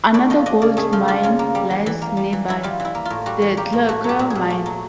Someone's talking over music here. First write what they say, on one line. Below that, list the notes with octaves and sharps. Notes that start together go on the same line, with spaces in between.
Another gold mine lies nearby, the Clogau mine.
A3 D5
F3 D#5
D4 D#5
C#3 D5
A3 G#4
F3 F4
D4 F4
C#3 F4
A#3
G3
E3
E3
A#3
G3
E3
E3 E4
G3 F4
E3
E4
A#3
A2 F4
G3 F#4
E3
A#3 G4
A2
A3 F#4
F#3 G4
A#2
G#4
A#2
A3
F#3